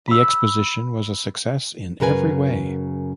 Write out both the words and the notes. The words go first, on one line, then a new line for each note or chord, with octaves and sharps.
The exposition was a success in every way.
B5 E6
F#2 C#3 A#4 B4 G#5